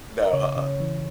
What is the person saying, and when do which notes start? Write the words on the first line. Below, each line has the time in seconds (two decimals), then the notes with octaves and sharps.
No, uh-uh,
0.25 A#4
0.33 C#3 C#5
0.56 C#3
0.80 E3